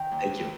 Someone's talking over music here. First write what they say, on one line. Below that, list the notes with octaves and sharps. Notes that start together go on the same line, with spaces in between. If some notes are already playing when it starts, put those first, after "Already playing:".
Thank you.
Already playing: D#3 G5
D#2
D#2